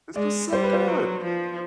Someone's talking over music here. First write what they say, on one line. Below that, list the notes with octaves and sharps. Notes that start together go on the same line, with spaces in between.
this was so good.
G#3 D5
G3 C5
B4
C5
F#3
F3